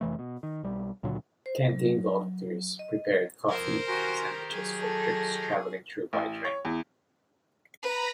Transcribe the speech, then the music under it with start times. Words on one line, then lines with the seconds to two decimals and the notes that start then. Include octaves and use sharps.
Canteen volunteers prepared coffee and sandwiches for troops traveling through by train.
0.01 F1 E3 A3
0.19 B2
0.43 D#3
0.63 B1 G3
1.03 C#2 A#2 D3 F#3
1.46 C5
1.69 F#3
2.79 D#5
3.49 F2 A#4 C5 G#6
3.87 D#3 F#4 G4 G#5 A#5 C6
4.51 F#3 G#4 G#6
4.81 A4
6.13 A1
6.45 C#5
6.65 E2
7.83 B4 A#5 B5